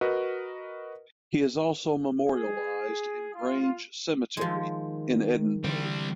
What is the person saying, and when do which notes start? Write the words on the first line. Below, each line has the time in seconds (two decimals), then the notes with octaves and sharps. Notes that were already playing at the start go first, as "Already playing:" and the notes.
He is also memorialised in Grange Cemetery in Edinburgh.
0.01 F#4 A#4 B4 D#5
2.27 G#4
3.34 F4
4.37 D#3 F3 G#3
5.64 D3 E3 G3 C4